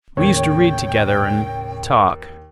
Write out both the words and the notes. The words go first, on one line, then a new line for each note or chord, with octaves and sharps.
We used to read together and... talk.
D#2 A2 C#3 C#5 G5